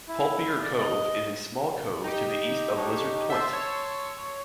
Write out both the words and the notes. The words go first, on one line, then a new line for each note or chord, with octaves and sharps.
Polpeor Cove is a small cove to the east of Lizard Point.
E4
D5
D#5
D#4 G4 G5
D4 C#5
C5 E5 A5 C6 E6
C#5